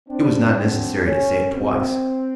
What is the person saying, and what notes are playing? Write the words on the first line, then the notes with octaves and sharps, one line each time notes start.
It was not necessary to say it twice.
C4 D4
F2 D3 F#3 A#3 C4 D4
C#4
B2 F#3 A#3 C4